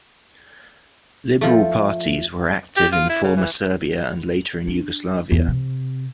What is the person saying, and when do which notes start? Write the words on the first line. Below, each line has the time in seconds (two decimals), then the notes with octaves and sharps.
Liberal parties were active in former Serbia and later in Yugoslavia.
1.41 F3 A3
2.77 G4
2.92 F4
3.09 E4
3.23 C#3
3.36 E3
4.68 D4
5.31 E2
5.48 C3